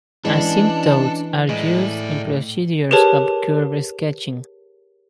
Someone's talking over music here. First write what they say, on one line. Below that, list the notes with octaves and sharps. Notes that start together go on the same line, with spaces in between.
Asymptotes are used in procedures of curve sketching.
E3 G#3 B3 C#4 D4 A4
A2 G#3 G#4 D5
G4 G#4 A#4 B4 C#5 A5